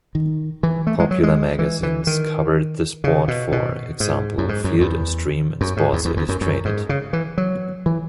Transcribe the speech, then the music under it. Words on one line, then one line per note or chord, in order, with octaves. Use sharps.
Popular magazines covered the sport-for example, Field and Stream and Sports Illustrated.
D#3
E3
A3
G#3
F#3
G#3
E3
E3
D#3
C#3
B2
B2
G#2
F#2
G#2
F#2
E2
F#2
G#2
E2
E2
E2
F#2
F#2
G#2
C#3
E3
F#3
E3